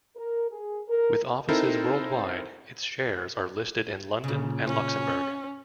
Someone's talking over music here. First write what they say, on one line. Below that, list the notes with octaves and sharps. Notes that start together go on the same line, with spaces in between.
With offices worldwide, its shares are listed in London and Luxembourg.
A#4
G#4
A#4
C4 D#4 E4 A4 A#4 C5
A#2 C#3
C#4